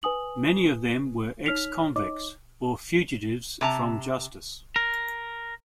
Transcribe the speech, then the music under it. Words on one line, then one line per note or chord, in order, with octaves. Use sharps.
Many of them were ex-convicts or fugitives from justice.
B4 G#5 D#6 F#7
D#4 C#5 F6 B6 F7
D#4 C#5 D#5 D6
C3 A5 A#5
A#4